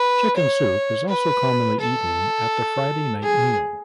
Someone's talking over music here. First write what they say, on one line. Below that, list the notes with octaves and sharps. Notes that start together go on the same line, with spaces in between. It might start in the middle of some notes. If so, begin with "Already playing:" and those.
Chicken soup is also commonly eaten at the Friday night meal.
Already playing: B4
C#5
B4
A4
G#4